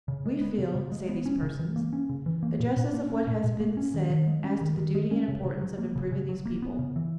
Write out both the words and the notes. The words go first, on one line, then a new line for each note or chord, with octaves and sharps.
We feel, say these persons, the justice of what has been said as to the duty and importance of improving these people.
C#3
G#3
B3
C#3
C#3
G#3
B3
C#4
C#3
E3
A#3
C#4
C#3
E3
A#3
A#2
A#2
A#3
C#4
A#2
A#2
A#3
C#4
D#3
D#3
G#3
C#4
D#3
D#3
G#3
C#4
C#3
C#3
F#3
A#3
C#3
C#3
F#3
A#3
B3
C#3
E3